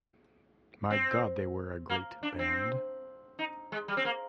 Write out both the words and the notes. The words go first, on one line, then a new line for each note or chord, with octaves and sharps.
My god, they were a great band!
C4
A#3
D4
C4
D#4
G#3
G3
C4
A#3